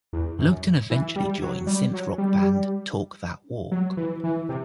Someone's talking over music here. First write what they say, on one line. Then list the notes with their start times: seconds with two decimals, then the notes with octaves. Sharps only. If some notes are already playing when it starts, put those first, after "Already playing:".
Lugton eventually joined synth rock band Talk That Walk.
0.13 E2
0.39 F#2
0.90 E3
1.16 G3
1.42 F#3
1.67 G3
1.93 F#3
2.18 G3
3.71 F#3
3.97 E3
4.24 E3
4.49 C3